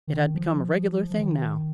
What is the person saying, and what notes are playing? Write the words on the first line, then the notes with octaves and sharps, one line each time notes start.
It had become a regular thing now.
D#3
F3
F3
D#3